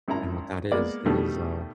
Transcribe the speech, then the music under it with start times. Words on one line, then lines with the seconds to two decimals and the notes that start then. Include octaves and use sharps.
and what that is is, uh,
0.08 G#1 F#2 E4 A5 A#5
0.72 G#3 A#3 B3 D5
1.05 B2 D3 D#3 G3 A3